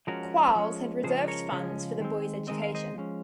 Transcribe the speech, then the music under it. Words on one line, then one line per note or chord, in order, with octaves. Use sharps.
Quarles had reserved funds for the boys' education.
F3 G#3 C#4 F#4 A#4
F3 G#3 C#4
C#3 F3 G#3 C#4 G#4 C5
A#4 C#5
C#3 F3 G#3 C#4
D#3 G#3 C4
D#3 G#3 C4 D#5
F5
C5 D#5
F3 G#3 C#4